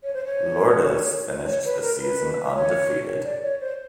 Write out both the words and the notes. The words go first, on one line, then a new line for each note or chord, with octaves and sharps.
Lourdes finished the season undefeated.
C#5
C5
C#5
C#5
B4
A#4
A#4
B4
C#5
D5
C#5
C5